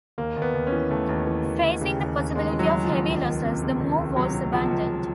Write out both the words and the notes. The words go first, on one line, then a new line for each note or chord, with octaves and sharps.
Facing the possibility of heavy losses, the move was abandoned.
D#2 A#3
D#2
B3
D#2
C#4
E3
D#2 A3
D#2
E3
D#2
D#2
C#3
D#2
D#2
D#2 G#3
E3
F#3
C#3
F3
D#2
C#2
D#3
C3
C#2
D#3
C#2
C3 F#3
C3
C#2 F3
C#2
C#2